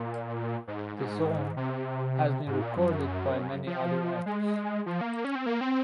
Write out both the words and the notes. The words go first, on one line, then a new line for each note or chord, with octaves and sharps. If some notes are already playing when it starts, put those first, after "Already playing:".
The song has been recorded by many other acts.
Already playing: A#2
G#2
G#2
C3
G#2
A#2
F#2
F3
G#3
F3
A#3
C#4
C4
A#3
C4